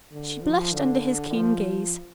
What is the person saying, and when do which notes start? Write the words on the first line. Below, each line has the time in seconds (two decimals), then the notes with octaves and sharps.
She blushed under his keen gaze.
0.12 D3
0.42 F3
0.72 D3
1.33 F3